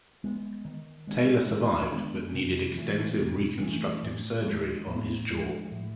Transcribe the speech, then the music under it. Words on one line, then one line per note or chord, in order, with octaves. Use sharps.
Taylor survived, but needed extensive reconstructive surgery on his jaw.
G#3 B3
D#3
G#3 B3 D4
D#3
G#3 B3 D4
C3
E3 A3
C3
E3 A3
A2
F3 G#3
A2
F3 G#3
A2